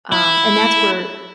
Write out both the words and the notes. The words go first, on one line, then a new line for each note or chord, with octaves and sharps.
Um, and that's where
E4